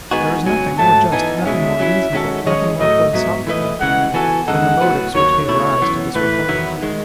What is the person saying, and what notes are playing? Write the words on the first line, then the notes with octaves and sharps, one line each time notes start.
There is nothing more just, nothing more reasonable, nothing more philosophical apparently, than the motives which gave rise to this reform.
D#3 G#3 B3 D#4 F#4 G#5
C#2 B2 F#3 G#5
G#2 F#3 A3 A5
E3 B3 D#4 G#5
C#2 B2 G#3 C#4 E5
F#3 C#4 E4
D#3 G#3 C#4 F#4 A4
D#3 G#3 C#4 G#4 C#5 D#5
A2 F#3 A3 D#5
G#2 F#3 B3 E5
E3 A3 E4 B4 D#5
C#3 E3 G#3 F#5
E3 B3 F#4 A4 G#5
E2 C#3 G#3 D#4 A4 F#5
A2 F#3 B3 F#4 B4
D#2 D#3 F#3 C#5
B2 A3 E4 C#5
F#2 E3 B3
A2 E3 A3 B4
E2 D#3 F#3 B3 E4
D#3 G#3